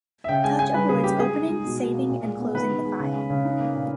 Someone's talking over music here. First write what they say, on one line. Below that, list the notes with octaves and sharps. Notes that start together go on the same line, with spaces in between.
Touch avoids opening, saving, and closing the file.
E5
C#3 G5
G#3 G#5
G#3 G#5
G3 B4
C#3 G#4
A#3 G4
G#3 G#4
D#4
G#3
B2
B2
A#3
A#2
G#3
B3
D#3 B4
D#3
G#3
C#3
G#3
C#3
D#4
A#3
A#2